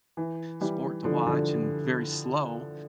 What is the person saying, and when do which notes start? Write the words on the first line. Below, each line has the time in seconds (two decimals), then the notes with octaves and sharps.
sport to watch and very slow.
0.17 E3
0.61 E3 G3
1.05 D3 F3
1.26 D3 F3